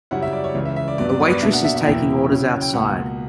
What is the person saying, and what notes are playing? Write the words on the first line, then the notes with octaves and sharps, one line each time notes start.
A waitress is taking orders outside.
F#2 C#3 G3 C#4 E4 F#5
E5
D5
C#5
C#2 C#3 E3
E5
E5
D5
G2 F#3 B3 D5
D5
B4
D5
B2 A#3 D4 E5
F#5
E5
E5
E2 B2 A#3 E4 G5
C#3 F#3 C#4 E4
G5
C#2 B2 A#3 F#5